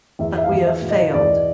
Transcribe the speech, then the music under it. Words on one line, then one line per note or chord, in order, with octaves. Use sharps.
But we have failed.
E2 E5
E5
F5
E2
E5
B2
D#5
E2 D5